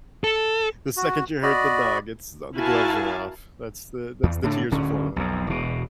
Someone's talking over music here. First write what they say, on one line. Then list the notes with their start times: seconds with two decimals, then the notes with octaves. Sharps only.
the second you hurt the dog, it's uh, the gloves are off, that's the that's the tears are flowing.
0.24 A4
0.97 F#4
1.43 F#4 D5 D#5 B5
2.57 E4 F#4 A#4 F5 G#5 A5
4.23 E2
4.43 A2 D3 D4
4.71 D1 D3 C#4
5.16 B1 F2
5.47 E1 B2